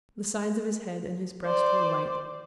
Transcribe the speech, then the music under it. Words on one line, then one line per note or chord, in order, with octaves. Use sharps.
The sides of his head and his breast were white.
C5 D5